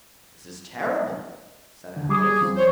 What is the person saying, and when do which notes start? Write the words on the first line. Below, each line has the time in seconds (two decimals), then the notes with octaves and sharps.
"This is terrible," said Athos.
1.96 D#2 D3
2.09 G3 G#4 D6 D#6
2.41 F2 F3 C4
2.57 C5 C#5